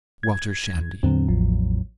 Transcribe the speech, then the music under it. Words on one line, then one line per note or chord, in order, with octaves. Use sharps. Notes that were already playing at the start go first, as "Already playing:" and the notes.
Walter Shandy.
G#6
E2 A2 D3 F#3 C4
A1 F3